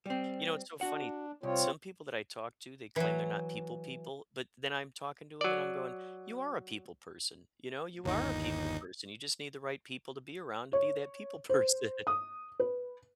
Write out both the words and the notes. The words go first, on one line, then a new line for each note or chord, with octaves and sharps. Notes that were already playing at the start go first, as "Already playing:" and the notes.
you know, it's so funny. Some people that I talk to, they claim they're not people people, but then I'm talking to 'em and I'm going, "You are a people person. You know, you are a people person. You just need the right people to be around to be that people person.
G3 C4
D4 F#4 F#5
C2 C4 F4 C#5
E3 F#3
F#3 D5
G1 D#2 D#4
C#5
C5
D#6
B4